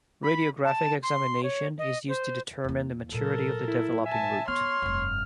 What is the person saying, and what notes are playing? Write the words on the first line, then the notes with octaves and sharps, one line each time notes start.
Radiographic examination is used to determine the maturity of the developing root.
B5
A5
C6
C#5
D#5
C5
E2 A#3
A#2 F#3 A4 A#4
E4
E5 G#5 A5
B3 C#5 C6 F6
F1 G2